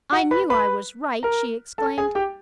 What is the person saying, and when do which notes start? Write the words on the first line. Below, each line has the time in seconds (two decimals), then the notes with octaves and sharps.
"I knew I was right!" she exclaimed.
0.12 F#4 F#5
0.31 B4 B5
0.50 B4 B5
1.23 A#4 A#5
1.78 A4 A5
1.98 G#4 G#5
2.15 G4 G5